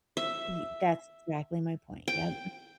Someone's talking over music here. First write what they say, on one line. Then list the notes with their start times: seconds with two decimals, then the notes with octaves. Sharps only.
Y that's exactly my point, yep.
0.17 E5
2.08 G5